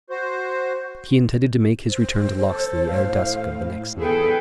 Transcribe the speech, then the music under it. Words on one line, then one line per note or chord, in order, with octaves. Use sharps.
He intended to make his return to Locksley ere dusk of the next night.
F#4 C5
C5
A4
A2 F5
E2 G#4 A4 B4 G5